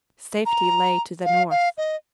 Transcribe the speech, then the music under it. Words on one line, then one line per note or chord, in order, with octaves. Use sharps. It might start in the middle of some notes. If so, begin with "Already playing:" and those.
"Safety lay to the north."
A#5
F5
F5
D#5